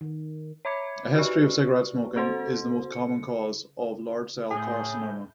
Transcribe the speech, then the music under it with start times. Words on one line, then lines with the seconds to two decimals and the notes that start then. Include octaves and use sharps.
A history of cigarette smoking is the most common cause of large cell carcinoma.
0.01 D#3
0.65 C#5 E5 B5 D6 G#6 C#7
1.16 F#4 G4 B4 D5 C#6
2.16 C4 F#4 A4 C5 C6
2.92 C#7
4.51 A2 G#4 G6